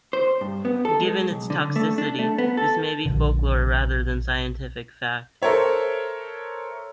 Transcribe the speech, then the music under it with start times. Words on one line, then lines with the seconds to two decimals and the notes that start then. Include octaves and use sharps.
Given its toxicity, this may be folklore rather than scientific fact.
0.13 C5
0.41 G2
0.65 B3
0.85 A4
1.00 G#3
1.31 B1
1.50 D3
1.76 A3
1.98 D4
2.19 A3
2.38 B3
2.57 A4
3.06 A#1 D3
5.42 A4 A#4 C5 C#5 E5